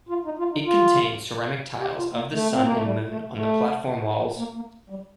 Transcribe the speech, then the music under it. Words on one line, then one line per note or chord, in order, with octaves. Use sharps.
It contains ceramic tiles of the sun and moon on the platform walls.
F4
D#4
F4
D#4
F4
G4
F4
A#3
A3
C4
A#3
A3
G3
A3
A3
A#3
A#3
G3